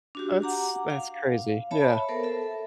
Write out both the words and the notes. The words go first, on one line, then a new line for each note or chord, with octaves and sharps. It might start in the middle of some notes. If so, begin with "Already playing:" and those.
That's that's crazy, yeah.
D4 F#4 G4
F#5 A#5 D6
F5
C#5 E5 A5 B5
B3 A4 A#4 C5
A4 E5